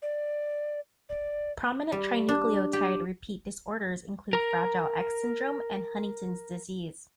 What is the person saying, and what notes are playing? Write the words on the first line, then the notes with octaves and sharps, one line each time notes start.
Prominent trinucleotide repeat disorders include Fragile X syndrome and Huntington's disease.
D5
D5
G3
D4
G4
A#4 A#5